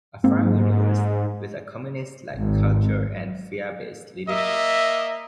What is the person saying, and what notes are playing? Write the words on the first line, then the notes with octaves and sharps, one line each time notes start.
A farm universe, with a communist like culture and fear based leadership.
G#2 A#3 C4
G#1
A#3 D#5 E5